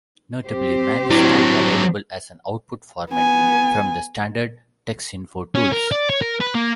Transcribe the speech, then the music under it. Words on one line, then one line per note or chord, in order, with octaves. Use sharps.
Notably, man is not available as an output format from the standard Texinfo tools.
C4 G4 C5
F#3 D4 E4
B3 G#5
C#4
A#4
D5
C#5
A#4
B4
A#3